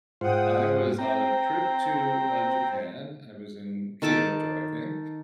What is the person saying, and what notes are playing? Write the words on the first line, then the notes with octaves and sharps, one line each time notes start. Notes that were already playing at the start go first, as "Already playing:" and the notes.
I was on a trip to, uh, Japan, I was in Kyoto, I think,
G#2 F4 C5 F#5 G5 D#6
C4 G5 A#5
D#3 A4 A5 D6